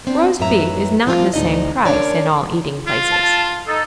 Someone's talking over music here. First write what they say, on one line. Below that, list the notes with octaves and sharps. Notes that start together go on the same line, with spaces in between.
Roast beef is not the same price in all eating-places.
B3 C4 D4
F#2 A2 G#3 B4 E5 A#5
E3 F3 C4 D#4 F4
D2 A2 D#4 D5 D#5
C#4 D4 A#4 C#5 D5
F4
A5
D#4 A4